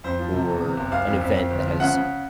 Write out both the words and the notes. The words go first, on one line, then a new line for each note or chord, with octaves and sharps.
or an event that has
F2 C5
F3
C3
E2
C3
F#1
F#1 F5
F2
F2
F2
G1
F3
C#3 F#5
C#3